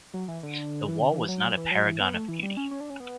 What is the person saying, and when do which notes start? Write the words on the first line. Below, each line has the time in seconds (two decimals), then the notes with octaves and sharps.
The wall was not a paragon of beauty.
0.14 F#3
0.28 E3
0.43 D3
0.88 E3
1.00 D3
1.14 E3
1.28 F#3
1.57 E3
1.71 F#3
1.86 E3
2.00 B3
2.14 A3
2.28 E3
2.43 G3
2.57 C#4
2.71 C#4
2.80 D4
2.90 C#4
3.00 B3